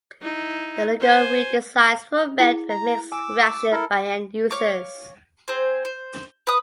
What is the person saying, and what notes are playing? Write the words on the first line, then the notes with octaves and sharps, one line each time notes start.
The logo redesigns were met with mixed reactions by end users.
D#4 E4
C5 G#5
E4 G#4
A#5
G#5 D6 E6
E4 A4 A#4
C#5 F5 D6
C4 G#4 C5
C5
B4 D#6